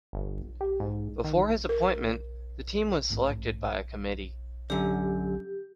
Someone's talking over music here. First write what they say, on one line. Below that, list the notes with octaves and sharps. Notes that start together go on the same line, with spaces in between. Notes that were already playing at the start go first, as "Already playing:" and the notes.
Before his appointment the team was selected by a Committee.
G1
G4
G#2
D#3
A#4
G#1 A2
F#2 D3 G4